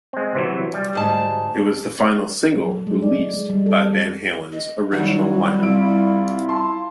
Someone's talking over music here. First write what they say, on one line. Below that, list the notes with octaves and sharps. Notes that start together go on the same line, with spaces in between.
It was the final single released by Van Halen's original lineup.
G#3 C4
C3 E3 F#3
G3
D2 G#2 A5
F#3
A4
G#3
D5
G#3
G3
A4
D#5
D#3 F#3 G3 E4
C2 E4 F4 D7
A5 C6